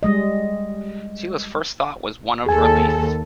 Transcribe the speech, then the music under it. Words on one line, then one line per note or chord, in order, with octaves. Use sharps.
Celia's first thought was one of relief.
G3 G#3 D#5
D#2 G#4 A4 G#5